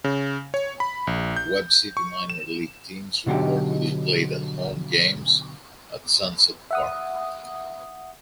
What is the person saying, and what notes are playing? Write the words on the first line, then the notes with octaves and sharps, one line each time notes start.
Webb City minor league teams reportedly played at home games at Sunset Park.
C#3
C#5
B5
A#1
G6
C#6
E7
B2 D3 F#3 D#4 G4
E5 F#5 D#6